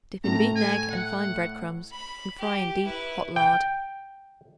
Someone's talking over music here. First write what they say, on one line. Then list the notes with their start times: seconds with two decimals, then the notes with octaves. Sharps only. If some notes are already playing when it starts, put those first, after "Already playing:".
Dip in beaten egg and fine bread-crumbs and fry in deep hot lard.
0.24 A2 A3 A#5
0.56 G#5
0.91 F#5
1.91 B5
2.38 G4
2.85 E4 B4
3.36 G5